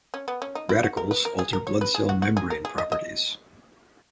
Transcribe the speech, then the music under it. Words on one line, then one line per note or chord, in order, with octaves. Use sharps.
Radicals alter blood cell membrane properties.
C#4
B3
C#4
D#4
E4
F#4
A#4
B4
A#4
G#4
A#4
C#5
B4
G#4
F#4
F#4
G#4
A#4
G#4
D#5
D#5